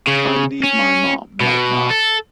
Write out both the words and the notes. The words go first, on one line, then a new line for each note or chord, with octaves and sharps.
I need my mom right now.
C#3
C#4
B2
A4